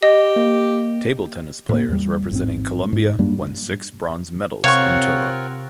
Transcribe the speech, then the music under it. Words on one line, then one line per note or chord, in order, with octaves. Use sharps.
Table tennis players representing Colombia won six bronze medals in total.
G4 D#5
A#3
A2 A#3
E2 G3
A1 G#2 C4
G#2
F#2 G3 A#3 D4
C3 C4 F4 A#4 C#5 F5 F#5 C#6